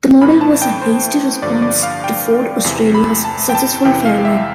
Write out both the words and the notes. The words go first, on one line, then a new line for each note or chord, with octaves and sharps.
The model was a hasty response to Ford Australia's successful Fairlane.
A2 E3 B5
A5
G5
C5
G2 D3 F3 D5
D5
F5
G5
E2 C3 E3
B5
A5
G5
A5
E2 C3 E3 G5
F5
E5